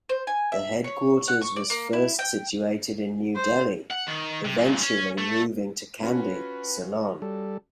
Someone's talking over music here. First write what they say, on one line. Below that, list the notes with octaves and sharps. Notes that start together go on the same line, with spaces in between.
The headquarters was first situated in New Delhi, eventually moving to Kandy, Ceylon.
C5
G#5
E5
C#5
F#5
C#6
D5
A#3
E4
G5
C5
F#5
D#3
C3
G2 A#2
C#4
A3
C#4 F4 F#4 B4
G3 A4